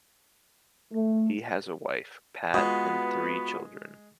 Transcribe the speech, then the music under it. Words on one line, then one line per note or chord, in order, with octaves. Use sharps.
He has a wife, Pat, and three children.
A3
G#3 B3 F4 F#4 B4